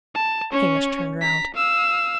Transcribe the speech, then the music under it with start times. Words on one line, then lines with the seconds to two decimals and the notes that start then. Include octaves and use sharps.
Hamish turned round.
0.15 A5
0.52 C#4 C#5
1.21 A#5 B6
1.54 F5 E6